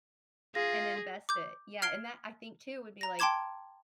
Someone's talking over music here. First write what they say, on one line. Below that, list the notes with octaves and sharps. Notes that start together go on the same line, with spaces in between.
and invest it," yeah, and that I think too would be like
F4 G#4 F5 A#6
D6 G6
F6 G#6 C7 D7 G7
A#5 A#6
G5 A5 C6 D6 G#6 E7